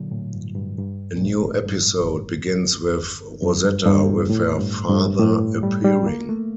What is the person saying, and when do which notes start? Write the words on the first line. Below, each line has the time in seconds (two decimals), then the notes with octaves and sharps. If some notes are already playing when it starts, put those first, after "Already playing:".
A new episode begins with Rosetta with her father appearing.
Already playing: A#2 D3 F#3
0.11 A2
0.34 G2
0.55 G2
0.78 G2
1.16 A#2
1.21 A2
1.65 G2
3.42 F#2
3.64 G2
3.86 G2
4.09 A#2
4.30 A2
4.59 G2
4.89 G2
5.19 A2
5.63 G3
5.84 G3
6.06 A#3
6.29 A3